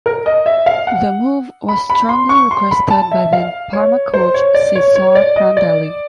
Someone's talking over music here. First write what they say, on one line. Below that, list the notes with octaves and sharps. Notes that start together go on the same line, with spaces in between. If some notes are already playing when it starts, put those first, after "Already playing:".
The move was strongly requested by then Parma coach Cesare Prandelli.
A#4
D#5
E5
F5
F#5
B5
B5
C6
C#6
C6
B5
A5
E5
F5
C#5
C5
C#5
D5
C#5
C#5
D5
D#5
D5